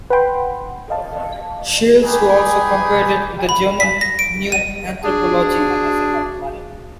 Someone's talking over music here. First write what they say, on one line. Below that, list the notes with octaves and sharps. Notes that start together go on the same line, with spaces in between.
Shields, who also compared it with the German "Neue Anthropologie".
B4 F#5 G5 B5 C6
D#5 F5 A5
D#4 G4 G#4 B4 G5 G#5
B5
B6
A#6
D7
D#7
D4 F#4 G#4